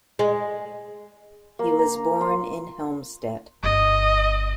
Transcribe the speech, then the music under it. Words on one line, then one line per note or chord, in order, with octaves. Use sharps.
He was born in Helmstedt.
G#3
A#3
A#5
F4
G1 D#5